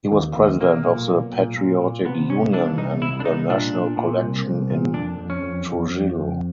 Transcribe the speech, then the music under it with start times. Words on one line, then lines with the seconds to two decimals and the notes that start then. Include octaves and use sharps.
He was president of the Patriotic Union and the National Collection in Trujillo.
0.12 D#2
0.37 D#2
0.61 B1 A#3
0.85 A#2
1.08 B1
1.33 A#2
1.57 A#2
1.81 A#2
2.05 C3 B3
2.29 C2 C#4
2.53 E3 D4
2.78 C2 D#4
3.01 C2 E4
3.20 D4
3.25 C2 D#4
3.49 A#2 D4
3.74 A#2
3.97 A#2
4.22 C2
4.47 C2
4.70 A#2
4.94 F2 D4
5.18 F2
5.30 C#4
5.43 F2
5.66 F2
5.90 F2
6.15 F2